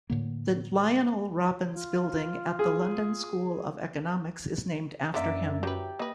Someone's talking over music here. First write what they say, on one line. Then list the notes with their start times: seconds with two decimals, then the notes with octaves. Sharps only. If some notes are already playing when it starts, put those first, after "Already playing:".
The Lionel Robbins Building at the London School of Economics is named after him.
0.10 A2 D3 A#3
1.73 F4
2.59 G#4
5.14 F#2 D3 A#3 D#4 D5 E5 A#5
5.63 F#3 G4 B4
5.99 A#3 B4 D#5